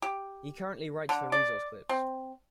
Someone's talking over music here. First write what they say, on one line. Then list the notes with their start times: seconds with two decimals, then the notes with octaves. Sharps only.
He currently writes for Resource Clips.
0.02 G4
1.09 D3
1.32 D5
1.89 C4